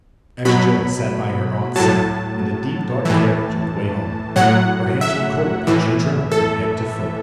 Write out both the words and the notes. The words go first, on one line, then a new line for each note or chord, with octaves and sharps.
As Joe sat by her aunt's side in the deep dark carriage on the way home, her hands were cold and she trembled from head to foot.
B2 F#3 B5
A2 F#3 A5
A2 E3
A2 F#3 F#5
E5
A2 E3
A4